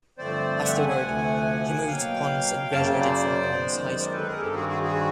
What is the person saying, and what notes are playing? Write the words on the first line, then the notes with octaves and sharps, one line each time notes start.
Afterward he moved to Ponce and graduated from Ponce High School.
G2 D3 F3 A3 C4 C5 D5
E5 F#5
F#5 G#5
F#5 G#5
D2 C3 F3 A3
B2 F#3 A#3 F5 G5
F#2 C#3 F#3 A#3 G5 A5
C5 D5
F#2 D#3 G#3 B3
A#4 C5
A4 B4
G#4 A#4
G2 D#3 G3 C4 G4 A4
F#4 G#4
F#4 G#4
F#4 G#4